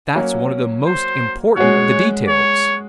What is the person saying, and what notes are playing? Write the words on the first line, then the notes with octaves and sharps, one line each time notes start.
That's one of the most important of the details.
F#3 A#3 C#4
C5
G#3 C#4 F#4 C#5
C#5